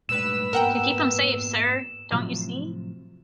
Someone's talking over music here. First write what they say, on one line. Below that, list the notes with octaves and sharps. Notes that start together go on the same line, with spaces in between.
To keep 'em safe, sir, don't you see?
G2 A#2 G#3 A3 B4 E6 E7
G#2 A#3 B3 A#4 F#5 G5
A2 C3 F3 F#3